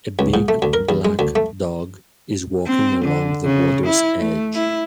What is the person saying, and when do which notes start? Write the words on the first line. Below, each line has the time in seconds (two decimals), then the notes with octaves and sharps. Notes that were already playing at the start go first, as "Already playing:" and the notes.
A big, black dog is walking along the water 's edge.
0.19 C#2
0.34 G#2
0.48 A3
0.62 D2
0.73 A#4
0.89 E2
1.05 G#3
1.19 D2
1.36 A3
2.67 C4
3.05 D3
3.44 C#3
3.86 E4
4.20 A3
4.54 E4